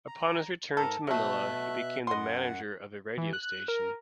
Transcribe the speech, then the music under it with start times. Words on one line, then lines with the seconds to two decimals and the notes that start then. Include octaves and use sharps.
Upon his return to Manila, he became the manager of a radio station.
0.07 A#5
0.77 G#2 A4 A#4 A#5
1.07 B2 F#3 A3 E5 F#6
2.07 F#2 D#5 F#5 C6
3.18 E3
3.33 F#6
3.68 A#4